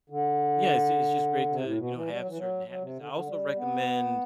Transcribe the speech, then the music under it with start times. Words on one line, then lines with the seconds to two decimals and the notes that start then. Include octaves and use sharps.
yeah, it's it's just great to, you know, have certain habits. I also recommend
0.10 D3
1.49 C3
1.63 A2
1.77 B2
1.93 E3
2.07 G3
2.17 F#3
2.28 E3
2.37 F#3
2.67 F#3
2.82 C3
2.97 D3
3.12 D3
3.26 G3
3.57 B3